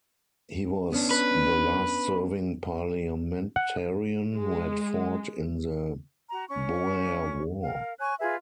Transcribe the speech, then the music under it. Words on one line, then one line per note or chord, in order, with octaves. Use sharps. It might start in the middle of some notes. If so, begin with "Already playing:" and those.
He was the last serving parliamentarian who had fought in the Boer War.
B3 C#4 D4
B4
F#5
G#3
F#4 A#5
C#4 C#6
A#4 F5
C#5 G#5 C#6 F#6
F4 G#4 B4 E5